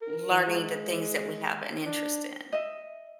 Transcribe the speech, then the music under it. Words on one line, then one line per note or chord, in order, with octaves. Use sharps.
learning the things that we have an interest in.
A#4
E3
G#3
D4
D#5 E5